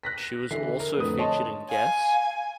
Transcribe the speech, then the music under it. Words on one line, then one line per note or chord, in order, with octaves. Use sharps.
She was also featured in Guess?
F#6 A#6 B6
D3 E3 E4 C7
A#4
F2 A2 D3 B4 D#6
C#5 D#5 A5 C6
F5 G#5